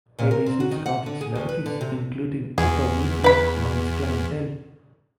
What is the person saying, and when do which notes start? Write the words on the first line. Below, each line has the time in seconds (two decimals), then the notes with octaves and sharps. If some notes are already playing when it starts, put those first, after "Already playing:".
Her business counted celebrities including Oprah Winfrey among its clientele.
0.19 A#2
0.31 A#4
0.46 C4
0.60 F#4
0.71 D#3
0.86 F#5
1.06 D3
1.21 G#4
1.35 D2
1.49 B4
1.66 D3
1.81 C3
2.58 E2 G#4
3.24 B4 B5